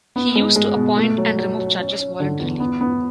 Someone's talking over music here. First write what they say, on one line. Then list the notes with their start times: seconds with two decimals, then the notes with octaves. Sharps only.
He used to appoint and remove judges voluntarily.
0.16 B3
0.35 G#3
0.56 G#3
0.76 B2
0.97 A3
1.18 F#3
1.38 F#3
1.58 F#3
1.79 C#4
2.00 C#4
2.20 D3
2.40 E2
2.60 B3
2.81 B3